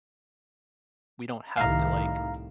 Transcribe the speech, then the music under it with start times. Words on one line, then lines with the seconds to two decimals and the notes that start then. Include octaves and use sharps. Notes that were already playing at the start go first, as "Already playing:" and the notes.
we don't have to like
1.57 C2 A2 D#3 F5 A#5